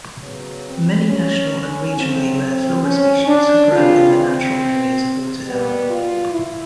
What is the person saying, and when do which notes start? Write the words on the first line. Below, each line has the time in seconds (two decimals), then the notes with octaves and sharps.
Many national and regionally rare flora species grow in the natural areas of Waterdown.
0.21 C#3 F#3 B3
0.65 C4
1.08 C#4
1.96 A2 F#3 A3 C4
2.84 C#4
3.26 D4
3.70 C#3 E3 G3 A#3 F4
4.13 C4
5.44 B2 G3 A#3 B3
5.88 F4
6.32 E4